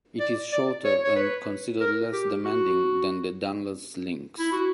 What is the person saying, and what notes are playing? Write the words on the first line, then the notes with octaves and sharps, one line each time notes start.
It is shorter and considered less demanding than the Dunluce Links.
D5
D5
C#5
C#5
B4
A#4
G4
F#4
E4
F#4